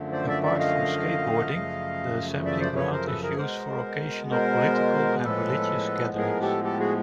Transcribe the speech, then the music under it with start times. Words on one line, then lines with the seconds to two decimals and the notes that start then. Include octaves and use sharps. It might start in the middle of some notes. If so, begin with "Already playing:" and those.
Apart from skateboarding, the assembly ground is used for occasional political and religious gatherings.
Already playing: F#2 D3 F3 A3
0.12 C5 D5
0.28 D5 E5
0.43 D5 E5
0.59 D#5 F5
1.51 F#2 C#3 F3 A3
2.45 D5 E5
2.60 C5 D5
2.76 B4 C#5
2.91 A#4 C5
3.07 A4 B4
3.22 G#4 A#4
3.38 B2 G#3 B3 A#4 C5
4.31 A#4 C5
5.24 A2 F3 G#3 B3 A4 B4
6.17 G#4 A#4
6.42 G4 A4
6.64 G4 A4
6.79 F#4 G#4